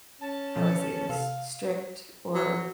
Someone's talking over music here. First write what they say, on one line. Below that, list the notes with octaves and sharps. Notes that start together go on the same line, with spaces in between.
how do I say this- strict or,
C#4 A5
B2 F3 F4
C3 A4 F5
F#3